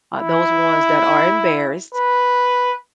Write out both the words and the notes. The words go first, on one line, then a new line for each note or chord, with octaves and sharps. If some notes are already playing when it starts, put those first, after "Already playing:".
uh, those ones that are embarrassed,
E4
B4